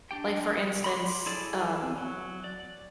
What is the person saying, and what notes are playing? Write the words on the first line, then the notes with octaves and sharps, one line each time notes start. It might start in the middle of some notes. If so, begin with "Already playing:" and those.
like, for instance, um
D4 G4 G5
B5 C6 D6
E4 G#4 A4 D5
F#3
D5